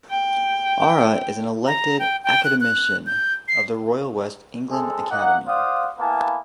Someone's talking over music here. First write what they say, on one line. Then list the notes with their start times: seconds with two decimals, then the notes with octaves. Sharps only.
Ara is an elected Academician of the Royal West of England Academy.
0.10 G5
1.66 A#5
1.99 G5
2.24 G5
2.44 F#6
2.60 F#6
3.07 G6
3.48 C7
4.70 G#3 C4 G#4 A4
5.10 A#3 D#4 D#5 F#5
5.47 F4 C5 D5 F5 F#5 D#6
5.99 A#3 B3 E4 F5 G#5 A5